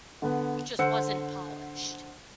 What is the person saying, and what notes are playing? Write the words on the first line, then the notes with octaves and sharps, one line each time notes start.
just wasn't polished
D3 B3
D3 C5 F#5 E6 C#7